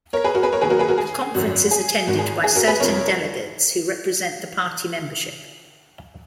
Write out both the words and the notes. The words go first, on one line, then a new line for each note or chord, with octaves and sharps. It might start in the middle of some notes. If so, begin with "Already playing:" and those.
The conference is attended by certain delegates who represent the party membership.
A#4 C#5
G#4 B4
F#4 A#4
G#4 B4
A#4 C#5
D#2 D#3 F#3 G#4 B4
F#4 A#4
G#4 B4
F#4 A#4
G#4
G#1 F#2 D#3 F#3 F#4
G#4
G#1 G#2 D#3 F#4
G#4
G#4
F#4 A#4
G#4 B4
F1 F2 F3 A#4 C#5